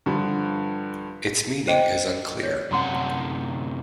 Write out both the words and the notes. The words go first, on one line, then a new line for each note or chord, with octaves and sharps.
Its meaning is unclear.
G2 D3 F3
C5 D#5 G5
C#5 D5
F#2 C3 C#4 F#5 A#5 C6